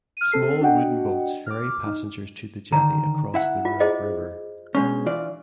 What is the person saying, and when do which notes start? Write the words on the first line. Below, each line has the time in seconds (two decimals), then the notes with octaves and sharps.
Small wooden boats ferry passengers to the jetty across the Ruak River.
0.17 F6 D#7
0.32 C4 A4 C7
0.61 D4 F#4 D#5 F#5 G5
1.46 D6 F6
1.86 D#4
2.72 D3 D#3 A#5
3.34 E4 E5 F#5
3.65 F4
3.80 G#4 C5 D#5
4.75 B2 G#3 C#4 D4 C#6
5.06 E3 F4 D5